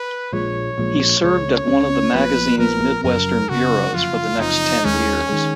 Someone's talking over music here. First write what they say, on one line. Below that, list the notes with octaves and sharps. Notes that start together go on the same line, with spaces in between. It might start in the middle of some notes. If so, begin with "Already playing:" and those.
He served at one of the magazine's midwestern bureaus for the next ten years.
Already playing: B4
A#1 A#2 F3 G#3 C#5
A#1 A#2 F3 G#3
C#2 C#3 G#3 C#4 C#5
C#2 C#3 G#3 C#4
A#1 A#2 F3 B3 B4
A#1 A#2 F3 B3 A#4
F#1 F#2 C#3 F#3 A#4
F#1 F#2 C#3 F#3 F#4
F#1 F2 F3 F4
F#1 F2 F3 D#4
D#2 D#3 G#3 C#4
D#3 G#3